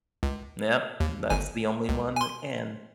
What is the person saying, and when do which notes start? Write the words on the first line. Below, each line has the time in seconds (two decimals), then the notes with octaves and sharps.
Yep, that's the only one that can.
0.23 C#2
1.00 D#2
1.30 G1 G#5
1.89 C#2
2.16 G#5 C6